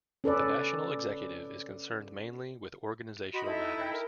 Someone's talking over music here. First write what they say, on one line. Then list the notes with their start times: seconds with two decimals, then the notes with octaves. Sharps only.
The National Executive is concerned mainly with organisational matters.
0.24 C#4 A4 B4 D5
3.33 F#4 D#5 B5 C6
3.45 D#4 E4 A4 D#5
3.81 G5
3.93 A#4